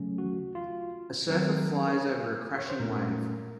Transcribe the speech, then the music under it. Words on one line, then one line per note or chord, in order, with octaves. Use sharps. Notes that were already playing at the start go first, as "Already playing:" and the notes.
A surfer flies over a crashing wave.
Already playing: C#3 F#3 A3 C#4
F#4
F4
D#3 F#3 C4 A#4
C#5
C5
A#2 A3 C#4 A#4